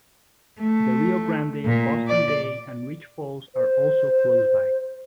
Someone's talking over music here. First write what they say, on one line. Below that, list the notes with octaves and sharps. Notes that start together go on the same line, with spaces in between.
The Rio Grande, Boston Bay and Reach Falls are also close by.
A3
A#2
D5
C5